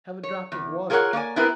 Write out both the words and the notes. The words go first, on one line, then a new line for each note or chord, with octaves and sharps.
Have a drop of water!
C#5
E2
F4 G#4 A#4 B4 C#5 F#5
A#3 C#5 D5 G#5
B3 C4 E4 G4 A#4 B4